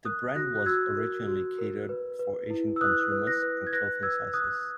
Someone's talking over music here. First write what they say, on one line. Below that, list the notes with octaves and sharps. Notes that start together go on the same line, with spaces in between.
The brand was originally catered for Asian consumers and clothing sizes.
A#4 D#6 F#6
F#4 F#6 A#6
F#6
F#4 E6 G#6
A#4
F#4
A#4
B4
B4
E4
E6
B4 D#6 F#6
B4
F#6 A#6
B4
G#6
B4 F#6 A#6
B4 E6 G#6
B4 D#6 F#6